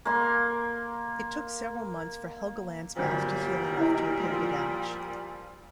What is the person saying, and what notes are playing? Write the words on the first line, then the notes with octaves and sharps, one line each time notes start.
It took several months for Helgeland's mouth to heal enough to repair the damage.
A#3 C6
G1 A#2 F#3 G3 C5
E4 D#5
F3 F4